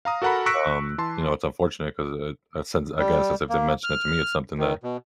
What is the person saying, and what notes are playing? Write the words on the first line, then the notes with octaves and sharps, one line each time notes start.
um, you know, it's unfortunate 'cause, eh, since again, since they've mentioned it to me, it's something that
F5 A#5 D#6
F#4 A4 A#4 F#5 A#5 B5
C#6 E6 F#6 A#6 B6 D7
E3 A5 C6
G3
A#3
F6
D#3
B2